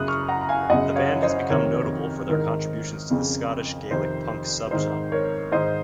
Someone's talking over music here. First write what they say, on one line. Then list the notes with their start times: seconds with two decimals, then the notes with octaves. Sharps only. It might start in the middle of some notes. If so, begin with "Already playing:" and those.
The band has become notable for their contributions to the Scottish Gaelic punk subgenre.
Already playing: F#2 C#3 D#6 F#6
0.08 C#6 F6
0.28 F#5 A#5
0.41 A#5
0.49 F5 G#5
0.69 F#2 C#3 D#5 F#5
0.96 C#5 F5
1.22 C5 D#5
1.49 F2 C3 D#3 A#4 C#5
2.30 G#2 D#3 A#4
3.10 F2 C#3
3.91 F2 C3 D#3 C5
4.71 G#2 D#3 C5
5.12 A#4 C#5
5.52 G#2 D#3 C5 D#5